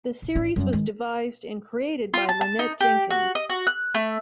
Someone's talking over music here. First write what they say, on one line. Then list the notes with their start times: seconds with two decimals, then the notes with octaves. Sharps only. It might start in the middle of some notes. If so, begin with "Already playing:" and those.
The series was devised and created by Lynnette Jenkins.
0.22 A#1
0.35 A1 D4
0.56 F#2 G3
0.73 D#3 G#3
2.14 F4
2.29 A5
2.41 A5
2.59 D#4
2.80 G4
3.10 F#4
3.35 D#5
3.49 F#4
3.67 F#6
3.94 A3